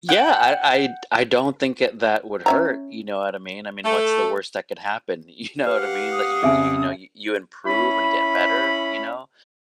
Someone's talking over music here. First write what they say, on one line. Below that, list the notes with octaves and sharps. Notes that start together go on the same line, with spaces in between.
Yeah, I I I don't think it that would hurt, you know what I mean I mean, what's the worst that could happen, you know what I mean, that you you know, you you improve, and get better, you know,
F#5 G5
C#4 E5 A#5
A3
G4 B4 F5 F#5
D#6
F2 C#3 G#4 E5 G#5
C#4 E4 B5